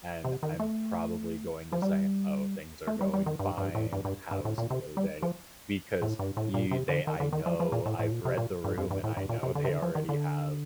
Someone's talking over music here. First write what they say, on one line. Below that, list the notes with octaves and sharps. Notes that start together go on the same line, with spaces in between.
And I'm probably going to say, "Oh, things are going fine. How is your day?" Because you they I know I've read the room, and I know they already have,
C3
D#3
A3
F3
G3
A3
G3
G3
D#3
G2
G2
A2
G2
G2
G2
A2
A#2
C3
G3
F3
A2
G2
A2
A#2
C3
D3
D#3
D3
D#3
F3
F3
A#2
A2
A2
A#2
C3
A#2
G2
F2
G2
A2
G2
A#2
C3
D3
C3
D3
F3
D#3
D3